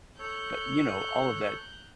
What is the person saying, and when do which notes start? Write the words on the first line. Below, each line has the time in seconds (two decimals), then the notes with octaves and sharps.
But, you know, all of that
0.19 A4 C#5 A#5 F#6 G6